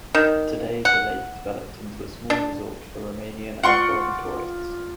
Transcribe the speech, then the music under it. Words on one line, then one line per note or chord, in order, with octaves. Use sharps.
Today the lake developed into a small resort for Romanian and foreign tourists.
D#3
F#5
D4
F4 D5 F#5 C6 C#6